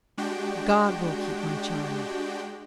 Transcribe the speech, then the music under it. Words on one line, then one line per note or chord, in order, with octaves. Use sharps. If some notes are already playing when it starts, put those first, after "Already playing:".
'God will keep my child.'
G#3 D4 F#4 G4 G5